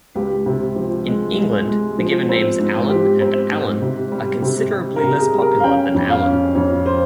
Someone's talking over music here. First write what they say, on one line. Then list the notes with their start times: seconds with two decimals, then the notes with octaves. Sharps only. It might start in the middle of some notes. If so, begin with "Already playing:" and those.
In England, the given names "Allan" and "Allen" are considerably less popular than "Alan".
0.15 C#2 G4
0.46 C3
0.76 F3
1.07 G#3
1.38 G#3
1.67 G#3
1.99 F3
2.29 C4
2.59 G#2
2.89 G#2 G4
3.21 C4
3.51 G#2
3.82 C3
4.12 G3
4.42 C3
4.72 G3
4.96 A#4
5.04 C3
5.19 G#4
5.34 G3
5.42 A#4
5.60 F5
5.64 C#4 G5
5.94 F2
6.10 F5
6.25 C#4
6.55 F2 C#5
6.86 C5